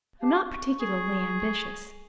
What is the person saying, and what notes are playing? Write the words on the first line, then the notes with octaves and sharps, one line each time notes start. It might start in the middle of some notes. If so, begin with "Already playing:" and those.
I'm not particularly ambitious.
G4 F5 A5
C#6
G#4